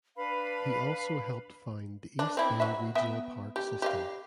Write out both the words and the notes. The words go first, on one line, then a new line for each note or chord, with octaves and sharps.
He also helped found the East Bay Regional Park system.
D4 B4 F5 B5
D4
C4 E4
F#3 F#4 E5
B3 E5 G5
G4
G4 D#5 F5